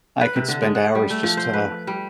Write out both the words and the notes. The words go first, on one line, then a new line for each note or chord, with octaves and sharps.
I could spend hours just, uh,
B4
C3
D3
G#3
F#5
G3
A3
F3
C5
B4
G3